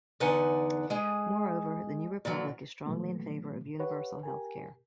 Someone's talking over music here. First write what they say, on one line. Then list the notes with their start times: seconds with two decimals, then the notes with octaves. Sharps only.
Moreover, "The New Republic" is strongly in favor of universal health care.
0.20 E2 D3 D#4 B4 F#5 G#5
0.90 G#3 G#4
2.25 A#2 D3 E3 F#3
2.86 A#2 D#3 E3 F#3 A3 B3
3.79 G4 B4 C#5 F#5
4.23 G4 A#4 G#5